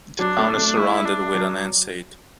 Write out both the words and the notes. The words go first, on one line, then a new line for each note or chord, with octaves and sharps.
The town is surrounded with an enceinte.
F#3 D4
A3
A3
G#3 E4
D4
F#3